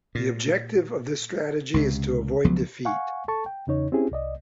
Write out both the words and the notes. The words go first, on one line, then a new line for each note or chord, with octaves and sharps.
The objective of this strategy is to avoid defeat.
A#2
C#2 C3
C#2 F3 F#3 B3
F5 F#5 G#5 C#6
A4 A5 C#6
G5
E2 C#3 D#4 C#5
C4 C#4 E4 G4 G#4
C2 D5 D#5